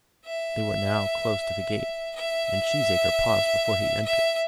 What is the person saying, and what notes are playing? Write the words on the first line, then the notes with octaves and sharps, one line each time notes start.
They were now close to the gate, and Cheesacre paused before he entered.
E5
E5
E5